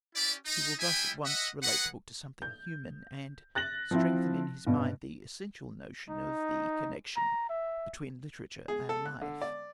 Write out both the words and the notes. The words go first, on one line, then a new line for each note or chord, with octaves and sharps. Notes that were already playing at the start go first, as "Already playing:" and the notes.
He will thus at once relate the book to something human, and strengthen in his mind the essential notion of the connection between literature and life.
C#4 E4 G4 D5
D#4
G3 E4 G#4 E5 G5 G#5
D#5 E5 F#5
G#4 B4 D#5 F#5
G6
F#6 A6 A#6 F#7
F3 C4 E4
G2 B2
D#4
A#5
E5
G#4
A4
F#6
D3
D5